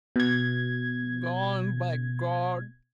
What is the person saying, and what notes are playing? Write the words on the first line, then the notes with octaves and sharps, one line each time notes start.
"Gone by God."
B2 G#6